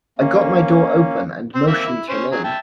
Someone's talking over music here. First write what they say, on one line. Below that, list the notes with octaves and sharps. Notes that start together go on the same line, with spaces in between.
I got my door open and motioned him in.
A#3 C#4
C4 C5
A#3 C4 E5
E4
C#4 C5
F#3 G#4
E5 G5 A5